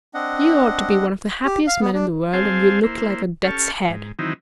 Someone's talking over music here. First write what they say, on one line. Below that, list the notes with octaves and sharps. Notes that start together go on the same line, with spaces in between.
"You ought to be one of the happiest men in the world, and you look like a death's-head."
C4 D4 D#5 F#5
G4
F5
B3
D4
C4 G#4 C5 F5 G#5 A5
A#3 E4 C5
C#4 G4 A4 A5 C#6 F6
G#2
D#3 E3 F#3 C4 D#4 E4